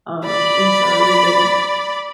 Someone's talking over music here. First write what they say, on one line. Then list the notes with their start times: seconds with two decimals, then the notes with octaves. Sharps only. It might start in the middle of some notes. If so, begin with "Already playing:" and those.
Um, and, so, even
0.25 D5 B5